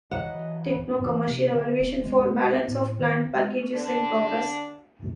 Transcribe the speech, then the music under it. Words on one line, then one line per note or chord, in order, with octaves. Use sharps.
Techno-Commercial evaluation for Balance of Plant package is in progress.
E3 F#3 B4 C#5 D#5 F#5 A#5
E3
C3
D3
D#1
G#3
A2
D#3
G#3
D3 D4